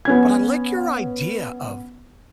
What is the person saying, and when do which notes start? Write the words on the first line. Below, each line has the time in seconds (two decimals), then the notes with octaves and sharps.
But I like your idea of
0.05 B3 C#4 G#6